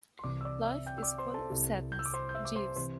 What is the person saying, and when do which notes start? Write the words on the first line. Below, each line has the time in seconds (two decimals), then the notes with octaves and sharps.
Life is full of sadness, Jeeves.
0.19 C6
0.23 C2 C3 E3 C4 D5 D6
0.41 E6
0.45 D5 D6
0.66 E5 E6
0.86 G5 G6
0.98 E6
1.02 D5 D6
1.18 C5 C6
1.34 A4 A5
1.50 C2 C3 G3 E4
1.92 G6
1.99 E6
2.06 D6
2.13 C5 C6
2.29 G6
2.35 E5 E6
2.45 D6
2.55 C5 C6
2.76 C3 E3 C5 C6